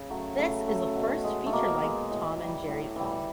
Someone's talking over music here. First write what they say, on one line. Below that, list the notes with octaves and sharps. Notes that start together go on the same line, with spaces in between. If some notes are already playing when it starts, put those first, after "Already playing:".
This is the first feature-length Tom and Jerry film.
Already playing: C#3
F#3 A3
C#3 A3
F#3 A3
B2
G#3
A3
B2 A#3
G#3
A2
E3 G3
A2
E3 G3